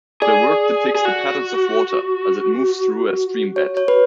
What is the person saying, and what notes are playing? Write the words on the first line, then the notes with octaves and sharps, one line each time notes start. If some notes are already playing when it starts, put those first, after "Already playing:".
The work depicts the patterns of water as it moves through a stream bed.
G#4 D5
G#4
F#4
C#5
C#5
B4